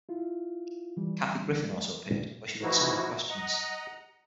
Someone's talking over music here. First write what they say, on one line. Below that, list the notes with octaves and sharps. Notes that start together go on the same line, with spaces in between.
Kathy Griffin also appeared, where she read some of the questions.
E4 F4
E3 G3
E3 F3 D#4 E4 F#4
D#5 F#5 A#5